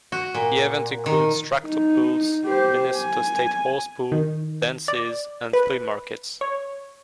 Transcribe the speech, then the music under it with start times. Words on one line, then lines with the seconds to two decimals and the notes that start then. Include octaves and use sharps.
The event includes tractor pulls, the Minnesota State Horsepull, dances and flea markets.
0.12 F#4
0.34 A#2
1.06 D#3
1.67 D#4
2.45 G4 C5
2.96 G#5
4.12 D#3
4.88 D5
5.53 B4
6.41 C#5